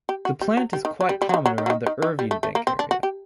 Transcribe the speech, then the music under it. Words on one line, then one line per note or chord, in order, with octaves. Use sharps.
The plant is quite common around the Irvinebank area.
G4
F#4
G3
F#3
G3
D#3
F#3
G3
G3
F#3
D#3
F#3
D#3
F#3
D#3
D#3
D#3
G3
A3
A3
A#3
C4
D4
F#4
G4